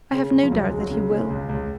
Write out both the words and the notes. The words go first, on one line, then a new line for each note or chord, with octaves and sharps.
I have no doubt that he will.
C#3
C#3
F3
C#2 F#3
C#2 G#3
F#3
C#3
C#3 G#3
C#2
C#2